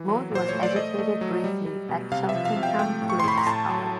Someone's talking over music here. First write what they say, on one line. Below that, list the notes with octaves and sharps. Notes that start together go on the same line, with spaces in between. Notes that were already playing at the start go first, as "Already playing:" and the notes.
Maud was educated briefly at Cheltenham Ladies' College.
Already playing: E3
F#3
A#2 C5
A3 C#5
D5
A3 D#5
A3
F#3
G3
G3
B2
C3 F5
E5
F3
F5
C3
G5
A3 G5
A2
C#6
C6
A2 B5
A#5
A2 A5
F#3